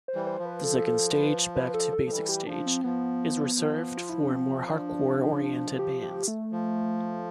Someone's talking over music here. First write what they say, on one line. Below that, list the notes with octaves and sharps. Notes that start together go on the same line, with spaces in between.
The second stage, Back-to-basics-stage, is reserved for more hardcore oriented bands.
C5
E3 G3
C5
F3
B4
A4
A4
B4
B4
A4
A4
F3
E3 G3 A4
G4
F3 D4
C4
F3 B3
F3
F4
E4
D4
C4
D4
G4
G4
A3
F3